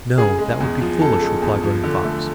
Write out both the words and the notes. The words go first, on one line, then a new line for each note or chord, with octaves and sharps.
"No, that would be foolish," replied Running Fox.
C#3 G#4
G#3
E2
F3
C#3 A4
G#3
E2
F3
D3
A3